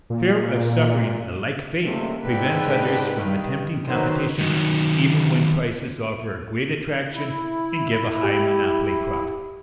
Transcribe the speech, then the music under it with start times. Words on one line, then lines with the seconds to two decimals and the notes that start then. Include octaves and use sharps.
Fear of suffering a like fate prevents others from attempting competition even when prices offer a great attraction and give a high monopoly profit.
0.10 A#2
1.84 C#2 G2 C3 A3 A#3
2.23 G#2 D3 B4 G5
3.15 G2 D#3
3.87 D#3 F#3 B4 C5
4.38 D#3 F#3
7.15 E4
8.23 G4